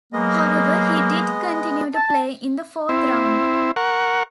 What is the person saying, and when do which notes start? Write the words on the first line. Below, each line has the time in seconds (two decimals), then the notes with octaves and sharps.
However, he did continue to play in the fourth round.
0.13 F#3 G#3 A#3 B3 D#5
1.95 A5
2.89 C4 E4
3.76 A#4 F#5 C#6